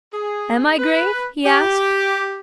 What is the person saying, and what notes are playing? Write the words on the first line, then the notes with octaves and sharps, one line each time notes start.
"Am I grave?" he asked.
G#4
B4
G4